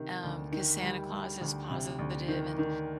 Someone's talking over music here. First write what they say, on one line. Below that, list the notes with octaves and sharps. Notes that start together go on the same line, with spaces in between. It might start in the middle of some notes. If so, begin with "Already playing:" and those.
um, 'cause Santa Claus is positive and,
Already playing: C3 D#3
D2
D#3
G3
G3
D2
C3
D2
D#3
D#3